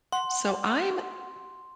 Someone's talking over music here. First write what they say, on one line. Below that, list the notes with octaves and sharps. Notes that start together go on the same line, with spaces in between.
So, I'm
F#5 C6